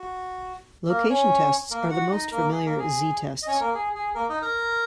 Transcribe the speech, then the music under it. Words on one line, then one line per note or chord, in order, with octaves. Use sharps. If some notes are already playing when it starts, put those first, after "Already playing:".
Location tests are the most familiar "Z"-tests.
Already playing: F#4
A#3 A#4
C#4 C#5
A#3 A#4
F#4 F#5
D#4 D#5
A#3 A#4
G#4
A#3 A#4
G#4
D#5
C#4 C#5
A#3 A#4
G#4
G#4
A#3 A#4
D#4 D#5
A#4 A#5